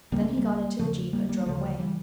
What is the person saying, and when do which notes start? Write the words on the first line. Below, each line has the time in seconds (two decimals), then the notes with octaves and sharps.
Then he got into the jeep and drove away.
0.12 C#2 C#3 G3 A#3
0.21 A3 C#4
0.37 G3 A#3
0.79 E2 C#3 F3 A3
1.13 G3 A#3
1.29 G3 A#3
1.41 A#3
1.46 D2 C#3 F3 A3
1.80 E3 G3